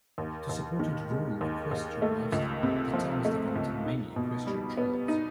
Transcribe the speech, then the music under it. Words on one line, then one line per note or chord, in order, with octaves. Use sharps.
To support its rural-equestrian lifestyle, the town has developed many equestrian trails.
D#2
D#2
D#3
G#3
D#2
D#2
A3
C#2
C3
F3
A3
C#2
D#4
B2
G3
B3
D#4